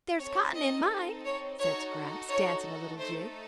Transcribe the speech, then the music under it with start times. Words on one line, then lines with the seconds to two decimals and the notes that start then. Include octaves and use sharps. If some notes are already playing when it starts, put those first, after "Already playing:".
"There's cotton in mine," said Scraps, dancing a little jig.
0.19 C4 D#4 A4 C#5
0.55 D#5
1.25 C#5
1.59 D#4 F#4 A4 C#5
2.29 C#5
2.99 A3 D#4 A4 C5